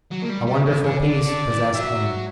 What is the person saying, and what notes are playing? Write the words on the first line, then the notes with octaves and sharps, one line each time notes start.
A wonderful peace possessed him.
F#3
A#3
G3
G3
E3
D3
D3 D5
D3
E3
F#3 E5